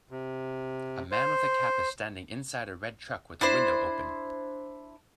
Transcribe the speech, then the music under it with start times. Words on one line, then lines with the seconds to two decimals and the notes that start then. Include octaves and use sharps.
A man with a cap is standing inside a red truck with the window open.
0.11 C3
1.11 C5
3.41 D4 E4 C5